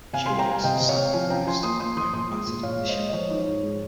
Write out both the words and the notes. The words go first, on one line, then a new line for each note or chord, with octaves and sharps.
She awakes, sad and depressed, wearing battered and disheveled clothing.
C3 F5 G#5
G3 G#5 C6
G5 A#5
G3 F5 G#5
C3 D#5 G5
C3
C#5 F5
C4
F3 F5 G#5
C#4 G5 A#5
F3 G#5 C6
A#3 C6 D#6
A#3 C6 D#6
F3 C6 D#6
A#2 C6 D#6
G#3
A#2
A#2 C#5 F5
G#3
C5 D#5
G#3
D#5
F3 C#5
D#4
G#2
G#3